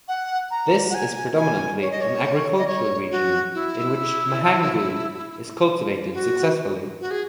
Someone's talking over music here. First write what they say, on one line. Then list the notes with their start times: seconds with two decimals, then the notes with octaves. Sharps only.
This is predominantly an agricultural region in which mahangu is cultivated successfully.
0.08 F#5
0.51 A#5
0.90 F#5
0.94 G#5
1.38 G#5
1.81 C#5
1.91 D#5
2.01 C#5
2.57 D#5
2.67 C#5
3.11 F#4
3.54 E4
6.13 F#4
7.00 F#4
7.11 G#4